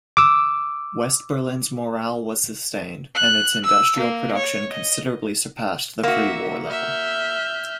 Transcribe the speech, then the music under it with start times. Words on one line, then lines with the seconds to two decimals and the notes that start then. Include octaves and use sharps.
West Berlin's morale was sustained, and its industrial production considerably surpassed the pre-war level.
0.17 D6 E6
3.15 F#6
3.65 E6
3.97 A#3
4.37 C#5
4.71 D#5
6.03 A#3 F#4 E5
6.70 E5 F6 G6